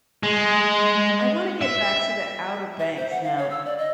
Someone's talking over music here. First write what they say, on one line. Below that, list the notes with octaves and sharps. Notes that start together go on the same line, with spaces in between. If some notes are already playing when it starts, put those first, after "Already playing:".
I wanna get back to the Outer Banks now,
G#3
E5
E5
C5
F#5
F5
C#5
E6
D5
D#5